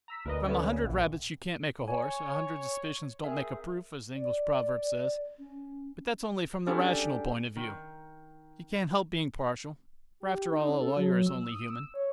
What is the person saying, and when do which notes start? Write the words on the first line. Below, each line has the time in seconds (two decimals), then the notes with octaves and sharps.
From a hundred rabbits you can't make a horse, a hundred suspicions don't make a proof, as the English proverb says, but that's only from the rational point of view--you can't help being partial, for after all a lawyer is only human.
0.08 A#5 E6 B6
0.26 D2 A#4 B4 D#5
0.46 A3 B3 C#4
0.65 C#3
0.84 A#1
1.88 C#5 G#5
3.24 C4 G#4 A#4 E5
4.16 D5
5.38 C#4
6.67 G3 C#4 D4 G#4 A4
7.56 D#3
10.20 G4
10.52 D#4
10.68 C#4
10.80 A4
10.97 F#3
11.27 E6
11.52 D#6
11.70 E6
11.94 C#5